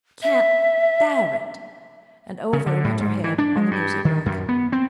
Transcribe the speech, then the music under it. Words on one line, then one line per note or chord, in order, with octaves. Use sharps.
"I can't bear it!" and over went her head on the music rack.
E5
C#3
D3
A2
G#2
E3
D4
G#3
G2
D#3
F#2
B3
C4